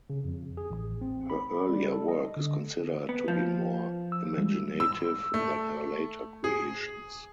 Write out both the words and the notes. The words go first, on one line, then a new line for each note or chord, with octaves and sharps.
Her earlier work is considered to be more imaginative than her later creations.
C#3
F2
G#4
A1
C4
B5
G3
A4
D#5
D3
B3
F3
E6
E3 G3 G#3
E6
A3
G#4